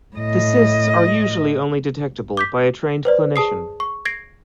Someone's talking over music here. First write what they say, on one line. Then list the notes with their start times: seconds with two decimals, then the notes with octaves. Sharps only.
The cysts are usually only detectable by a trained clinician.
0.16 A2 D#5
2.37 D6 G6 B6
3.05 B4 C5 D5
3.36 G#4 A5 D#6 C7
3.80 C#6
4.05 G#6 A#6 C7 D7